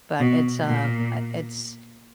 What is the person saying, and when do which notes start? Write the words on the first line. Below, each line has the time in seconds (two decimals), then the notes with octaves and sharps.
but it's, uh uh, it's
0.20 B2
0.64 A#2